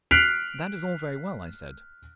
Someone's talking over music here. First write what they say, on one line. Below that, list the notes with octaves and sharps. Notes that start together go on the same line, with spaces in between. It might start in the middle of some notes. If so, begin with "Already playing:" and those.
"That is all very well," I said.
F6 F#6 B6 C7 D7 F7